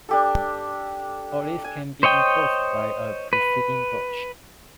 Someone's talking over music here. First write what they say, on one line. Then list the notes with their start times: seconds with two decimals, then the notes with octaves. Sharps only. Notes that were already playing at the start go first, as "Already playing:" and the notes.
All these can be enforced by a preceding "doch".
0.09 D4 G4 A4
1.64 G#5
2.03 C5 C#5 D#5 G5
3.33 B4